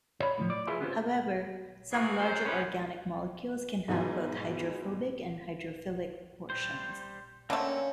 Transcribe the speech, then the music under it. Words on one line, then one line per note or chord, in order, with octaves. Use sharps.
However, some larger organic molecules can have both hydrophobic and hydrophilic portions.
C#5 B5
A2 C#3 F3
D5
E4 F4 G#4 B4
B3 C#4 F4 G4 B4 C5
F2 A2 E3 F#4 G#4
F#2 C5
F#2 E3 F3 G3 B3 C#4
G#2 B2 E3 F#3
G3 C5
D3 A3 A#3 C4 C#4